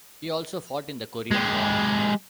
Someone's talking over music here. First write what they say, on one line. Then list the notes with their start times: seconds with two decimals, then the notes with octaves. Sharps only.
He also fought in the Korean War.
1.31 G#3 G4